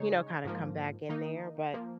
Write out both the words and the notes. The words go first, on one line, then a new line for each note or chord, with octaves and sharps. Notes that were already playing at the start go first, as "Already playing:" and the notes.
you know, kinda come back in there," but
Already playing: C#3 G#3 D#4 G#4 C#5
G#2 F3 A#3
D#3 A#3 D#4
F3 A#3